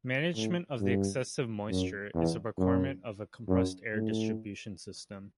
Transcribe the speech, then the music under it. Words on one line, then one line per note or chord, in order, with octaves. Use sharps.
Management of the excessive moisture is a requirement of a compressed air distribution system.
A2
G2
F#2
E2
F#2
F#2
A2